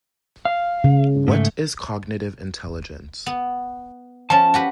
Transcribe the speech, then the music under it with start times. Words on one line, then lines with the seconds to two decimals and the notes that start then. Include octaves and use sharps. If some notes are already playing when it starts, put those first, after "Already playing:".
What is cognitive intelligence?
0.45 F5
0.84 C#3
1.28 G#2 A3
3.26 B3
4.30 F3 C#4 A5
4.54 F#4 G4 B4